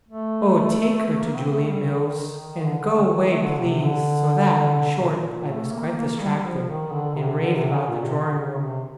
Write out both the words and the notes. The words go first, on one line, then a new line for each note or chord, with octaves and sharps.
Oh, take her to Julia Mills, and go away, please! So that, in short, I was quite distracted, and raved about the drawing-room.
A3
A#3
C4
A3
G3
D#3
D#3
D3
D3
D3
D#3
A3
D3
C3
D3
A#2
A#2
A3
A#3
A#3
G3
G3
F3
D#3
D3
C3
D3
C3
D3
A#2
C3
D3
C3